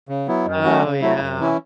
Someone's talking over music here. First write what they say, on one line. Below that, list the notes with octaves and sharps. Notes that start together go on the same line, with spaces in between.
Oh, yeah.
C#3
F#3 B3 E4
F#2
F#3 A3 C#4 F#4
C#3
F#3 A3 E4
F#2
E3 C#4 E4